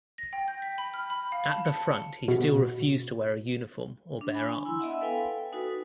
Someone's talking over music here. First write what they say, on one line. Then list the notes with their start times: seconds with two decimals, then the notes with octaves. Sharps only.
At the front he still refused to wear a uniform or bear arms.
0.18 A#6
0.33 G5
0.48 G6
0.62 B6
0.78 B5
0.94 F6
1.10 B5
1.32 F5
1.49 A5
1.66 C#7
2.28 B2
4.21 D4
4.34 G#5 B5
4.65 E4 G#5 C6 E6
4.80 B3 D#5 E5 F#5
5.01 A4 B4 F5 G5 G#5
5.53 D#4 F#4 A4 B4